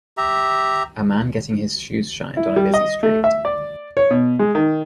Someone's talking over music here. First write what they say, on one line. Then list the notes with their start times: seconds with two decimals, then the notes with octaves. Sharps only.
A man getting his shoes shined on a busy street.
0.17 G4 E5 A#5
2.37 E4
2.56 G3
2.74 D#5
3.03 A3
3.24 E5
3.45 D5
3.97 C#5
4.11 B2
4.39 G#3
4.55 D#3